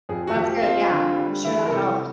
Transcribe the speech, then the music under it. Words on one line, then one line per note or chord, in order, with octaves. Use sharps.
that's good, yeah, I'm sure that helps.
F2 G#4
F#4
F3 G4
C4 F4
D3
G3
E3 E4
A#4
C3 A4